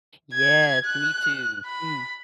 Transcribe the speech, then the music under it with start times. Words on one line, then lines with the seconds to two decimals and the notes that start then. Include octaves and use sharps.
Yes, me too. Mm.
0.34 G#6
0.86 F#6
1.66 B5